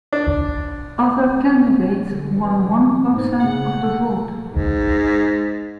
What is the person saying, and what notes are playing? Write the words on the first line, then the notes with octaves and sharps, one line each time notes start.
Other candidates won one percent of the vote.
D4
D3
E3
G#2
C#3 F#5
A4
G#2